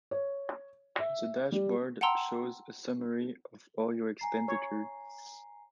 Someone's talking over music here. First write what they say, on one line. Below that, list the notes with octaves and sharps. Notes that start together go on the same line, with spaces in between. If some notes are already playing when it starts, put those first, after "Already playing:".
The dashboard shows a summary of all your expenditure.
C#5
E5
G3
F#5 G5 A5 A#5 C6 E6
G#5 A#5 C7
C#5